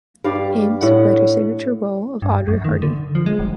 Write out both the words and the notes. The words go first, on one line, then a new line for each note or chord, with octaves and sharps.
Ames played her signature role of Audrey Hardy.
G2 G3 D5 F5
A2 F#5
G2
F#2
D#3
D3
F3
G#3
F1